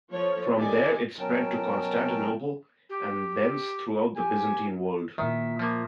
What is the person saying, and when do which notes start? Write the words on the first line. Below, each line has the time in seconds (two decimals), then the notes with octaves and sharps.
From there it spread to Constantinople, and thence throughout the Byzantine world.
0.11 F3 A4 C#5
0.56 D3 D#3 G4 D5 D#5 G#5
1.19 B2 F#3 C#4 A#4 G5 A5
2.90 G4
4.16 G4 G#5
5.18 A#2 D#3 E5
5.59 F3 A#3